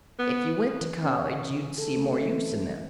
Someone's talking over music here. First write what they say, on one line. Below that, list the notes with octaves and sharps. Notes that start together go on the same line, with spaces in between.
"If you went to College you'd see more use in them."
B3
E3
C#4
C#3
A4
A3
E3